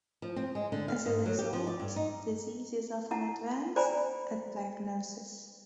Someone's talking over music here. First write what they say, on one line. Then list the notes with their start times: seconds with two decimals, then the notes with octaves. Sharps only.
As a result, disease is often advanced at diagnosis.
0.22 F3
0.36 C4
0.55 G#3
0.72 D3
0.88 F5
1.06 G#2
1.26 F#3
1.39 G4
1.53 F3
1.67 D5
1.80 G2
1.96 D#4
3.11 E4 F#5 A5 A#5
3.76 C5 D5 G5 G#5 A#5 B5